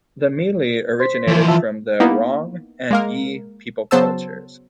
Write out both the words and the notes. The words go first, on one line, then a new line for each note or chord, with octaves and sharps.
The mili originated from the Rong and Yi people cultures.
C5 C6 B6
E3 F3
F4 E5 A5
A#3 B3 D#4 E4
G#3 A#3 A#4
C#3 F#3 B3 C5 A5 E6